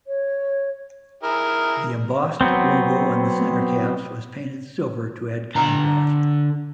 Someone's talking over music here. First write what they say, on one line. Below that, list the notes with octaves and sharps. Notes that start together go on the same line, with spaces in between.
The embossed logo on the center caps was painted silver to add contrast.
C#5
E4 G#4 A#4
F#3 B3 C4
D3 A#5